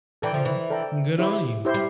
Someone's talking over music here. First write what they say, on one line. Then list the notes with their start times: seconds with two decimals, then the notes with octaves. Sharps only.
Mhm. Good on you.
0.22 E3 A4 D5 G5 A#5
0.34 F3
0.45 E3
0.70 A4 D5 G5 A#5
1.19 E4 G4 C5
1.65 E4 G4 C5
1.74 G3